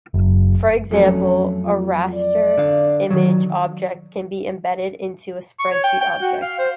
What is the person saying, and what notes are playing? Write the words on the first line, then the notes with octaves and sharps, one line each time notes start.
For example, a raster image object can be embedded into a spreadsheet object.
F#1
F2 F#3 A3 C#4
F4
D5
D3 F5
D#3 F#3
C#6
C#5
G5
G5
F#4
F5
C5